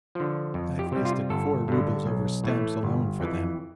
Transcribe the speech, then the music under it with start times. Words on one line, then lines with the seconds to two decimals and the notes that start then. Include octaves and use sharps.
I have wasted four roubles over stamps alone for them.
0.15 D3 F3
0.54 F2
0.79 G4
0.92 C3 G3
1.05 F4
1.30 G1 A4
1.68 G2 D3
2.06 B1
2.44 A2 E3 A3
2.83 G1
3.20 F2 E3